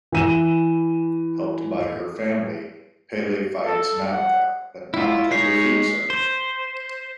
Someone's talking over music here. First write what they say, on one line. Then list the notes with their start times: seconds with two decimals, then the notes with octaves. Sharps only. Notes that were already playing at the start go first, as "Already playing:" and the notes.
Helped by her family, Pele fights Namaka, but Namaka defeats her.
0.12 E3 D#7 E7
3.66 A4
4.13 F#5
4.94 E4 F4
5.31 G#3 D#4 C#5 B6 C7
6.10 C5